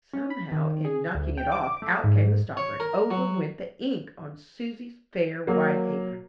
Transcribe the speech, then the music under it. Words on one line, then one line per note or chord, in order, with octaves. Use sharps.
Somehow, in "knocking it off," out came the stopper, and over went the ink on Susy's fair white apron.
C#4
B5
D#3
G#4
D2
G5
D6
A3
G#2
C#5
A#4
F#3
F#3 A#3